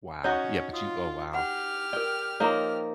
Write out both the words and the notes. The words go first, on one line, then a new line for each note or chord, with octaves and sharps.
wow. Yeah, but you oh, wow.
C#4 D#4 F#4 C#5
F4 D#6
G4 F#5 F6
A#4 D5 G5
F3 A#3 D#4 C#5 A#5